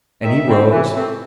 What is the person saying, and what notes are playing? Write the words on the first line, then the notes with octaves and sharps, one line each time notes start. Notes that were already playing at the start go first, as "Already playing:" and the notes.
And he rose.
D#3 E5
G3 C4
E3
A3 C4